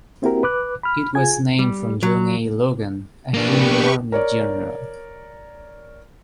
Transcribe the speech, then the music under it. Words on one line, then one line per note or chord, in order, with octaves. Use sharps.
It was named for John A. Logan, a Union Army general.
A#3 C4 E4 F#4 G4 A#4
B4 D6 F#6
B5 F6
F4 G#4 G#5 G#6
G3
F#3
A#3 D4 G4 B4 C#6
A#4 C#5 D5